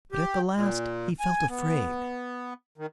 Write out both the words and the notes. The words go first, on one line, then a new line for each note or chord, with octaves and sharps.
But at the last he felt afraid.
G4
A#2
G#5
B3
D#3